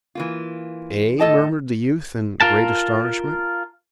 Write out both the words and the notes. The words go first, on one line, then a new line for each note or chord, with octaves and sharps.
"Eh?" murmured the youth in great astonishment.
E3 A#3 F4
A2 A4 D#5 A5
F4 A#4 A5